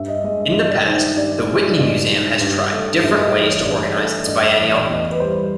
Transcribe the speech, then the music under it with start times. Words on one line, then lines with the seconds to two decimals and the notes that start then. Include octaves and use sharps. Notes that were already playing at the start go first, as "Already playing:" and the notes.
In the past the Whitney Museum has tried different ways to organize its biennial.
Already playing: G2 E5
0.08 D#5
0.24 G#3 D#5
0.40 E5
0.55 G2 D#5
0.71 D5
0.86 D#3 C5
1.17 G2 D5
1.48 G#3
1.79 G2 D#5
2.10 D#3
2.41 G2
2.72 A3
3.03 G2 E5
3.18 D#5
3.34 E3 D#5
3.49 C#5
3.65 G2 D5
3.96 A3
4.27 G2 D#5
4.43 E5
4.58 E3 E5
4.74 D5
4.89 E2 D#5
5.11 B4
5.20 G3 C5